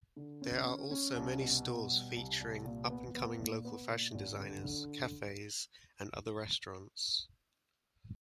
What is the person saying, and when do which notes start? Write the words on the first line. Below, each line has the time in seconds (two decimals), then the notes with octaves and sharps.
There are also many stores featuring up-and-coming local fashion designers, cafes and other restaurants.
0.16 D3
0.42 C#4
0.66 C#4
0.91 C#4
1.16 C2
1.41 B2
1.66 B2
1.91 G3
2.16 C2
2.40 C2
2.65 A#2
2.90 B3
3.15 B3
3.40 A#2
3.65 B3
3.90 A#2
4.14 G#1
4.40 D3
4.64 D3